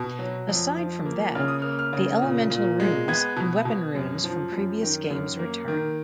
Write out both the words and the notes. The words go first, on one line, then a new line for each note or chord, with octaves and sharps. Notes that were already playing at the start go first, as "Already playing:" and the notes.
Aside from that, the elemental runes and weapon runes from previous games return.
Already playing: B2
F#3
F2
F3
A#3
C#3 F6
D#6
A#3 F6
F6
C#3
A#2
A#2
G#3
B3 G#6
B2
B2
F#2
F3
F#2
D#3
F#2
A#3
D#3